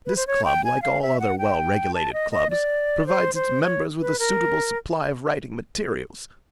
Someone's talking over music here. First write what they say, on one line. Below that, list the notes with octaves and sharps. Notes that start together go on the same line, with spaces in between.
This club, like all other well-regulated clubs, provides its members with a suitable supply of writing materials.
B4
C5
C#5
G5
G#5
F5
E5
F#5
G5
A5
D#5
D#5
D5
C5
C5
C#5
B4
A#4